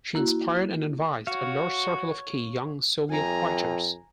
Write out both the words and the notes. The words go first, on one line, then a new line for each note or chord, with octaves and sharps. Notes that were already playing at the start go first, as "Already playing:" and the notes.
She inspired and advised a large circle of key young Soviet writers.
A#3 E4 F#4
F#4 C#5 F5
F2 G#5 A#5